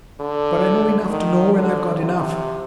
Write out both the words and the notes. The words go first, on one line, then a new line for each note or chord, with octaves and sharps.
But I know enough to know when I've got enough.
D3
D#3
D3
C3